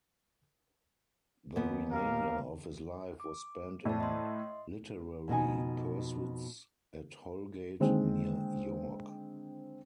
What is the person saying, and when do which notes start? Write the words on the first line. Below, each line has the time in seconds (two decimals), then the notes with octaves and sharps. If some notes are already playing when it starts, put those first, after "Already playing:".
The remainder of his life was spent in literary pursuits at Holgate, near York.
1.56 D#2 B3
1.91 G4 A#4 F5
3.20 D6
3.85 A2 C5 D5 A5
4.00 D#5 C6
5.28 F2 B2 D#4 G#5
7.80 D3 D#3 G#3 A#3 C4